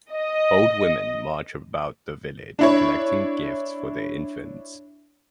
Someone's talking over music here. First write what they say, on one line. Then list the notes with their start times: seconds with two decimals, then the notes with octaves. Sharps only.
Old women march about the village collecting gifts for the infants.
0.12 D#5
2.59 D4 E4 C#5